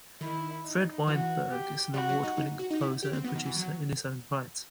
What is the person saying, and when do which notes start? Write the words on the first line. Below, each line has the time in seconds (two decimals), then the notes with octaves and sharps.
Fred Weinberg is an award-winning composer and producer in his own right.
0.21 D#3 E4
0.65 D#4
1.07 E3 F#4
1.50 G4
1.94 G3 F#4
2.09 F#3
2.23 D#4
2.37 D#4
2.59 F#4
2.71 D#4
2.81 E4
3.03 G4
3.13 C4
3.24 B3 F#4
3.35 D#3
3.46 E3
3.56 F#3